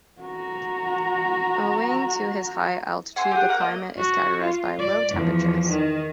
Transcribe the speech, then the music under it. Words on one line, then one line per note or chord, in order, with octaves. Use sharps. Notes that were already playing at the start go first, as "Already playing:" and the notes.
Owing to its high altitude, the climate is characterized by low temperatures.
F#4 A#5
F#5 G#5 C6 E6
G4 G#4 F#5
A#3 F#5 G6
A#3 D#5
F#4
F4
D5
E2 F3
D#3